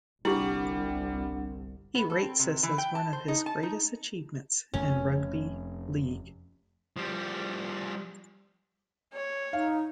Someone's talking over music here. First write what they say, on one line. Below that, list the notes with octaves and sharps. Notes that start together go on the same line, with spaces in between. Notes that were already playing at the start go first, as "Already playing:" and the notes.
He rates this as one of his greatest achievements in rugby league.
G1 C2 G3 D4 E4 G4 F#5
B3
A4
C4
C3
E3
G5
A5
C5
D#4
A5
D#4
F1 F2 A3 C#4
F3 G3
C#5
D#4 F5